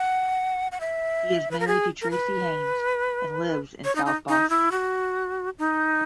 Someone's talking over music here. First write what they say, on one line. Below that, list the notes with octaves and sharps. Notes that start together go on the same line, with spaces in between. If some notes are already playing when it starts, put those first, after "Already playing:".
He is married to Tracee Hynes and lives in South Boston.
Already playing: F#5
F#5
E5
B4
A#4
G#4
A#4
B4
C#5
D#4
D#4
D#4
E4
F#4
D#4